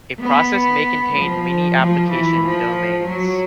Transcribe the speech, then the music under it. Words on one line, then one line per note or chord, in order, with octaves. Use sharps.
A process may contain many application domains.
B3
F3
F3
E3
F3
F#3